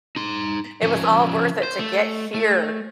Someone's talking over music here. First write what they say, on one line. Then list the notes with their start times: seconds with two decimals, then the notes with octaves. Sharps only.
It was all worth it to get here.
0.16 D#4 C6
0.83 F3 C#4
1.63 C5
1.79 A3
2.34 A3